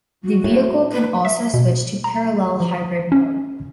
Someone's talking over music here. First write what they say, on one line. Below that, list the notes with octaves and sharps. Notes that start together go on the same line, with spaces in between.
The vehicle can also switch to parallel hybrid mode.
F#4
A2
B4
E5
B2
A#5
F3
C#4